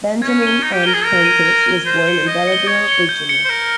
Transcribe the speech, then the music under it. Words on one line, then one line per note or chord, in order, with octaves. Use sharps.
Benjamin M. Prentiss was born in Belleville, Virginia.
C#4 G#6
D#7 G7
D#4 G#6
G4
A#4 D#7 G7
G#4
A#4 G#6
D#7 G7
G#6
D#7 G7
C5 G6
C#7 G7
D#5 G6
C#7 G7
C#5 G6
C#7 G7
G6
C#7 G7
C5
A#4 F6